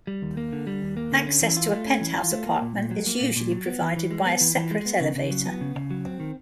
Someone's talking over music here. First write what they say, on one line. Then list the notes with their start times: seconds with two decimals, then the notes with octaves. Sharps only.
Access to a penthouse apartment is usually provided by a separate elevator.
0.07 G3
0.22 D#2
0.37 A#3
0.53 D3
0.67 G3
0.82 D#2
0.97 A#3
1.12 D3
1.27 C#4
1.42 E3
1.57 F4
1.72 A3
1.87 C#4
2.01 E3
2.16 F4
2.32 A3
2.46 A#3
2.61 A#2
2.76 A#2
2.91 F#3
3.06 A#3
3.21 A#2
3.36 A#2
3.51 F#3
3.66 B3
3.81 E3
3.96 E3
4.11 G#3
4.26 B3
4.41 E3
4.56 E3
4.71 G#3
4.86 B3
5.00 C#3
5.15 C#3
5.31 F#3
5.45 B3
5.61 C#3
5.75 C#3
5.91 F#3
6.05 C4
6.20 D#3